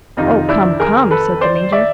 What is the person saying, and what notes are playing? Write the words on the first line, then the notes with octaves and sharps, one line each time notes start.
"Oh, come, come!" said the Major.
F2 C3 D#3 D#4 F4
D4 E4
G#4 A#4
A4 B4
C5 D5
D5 E5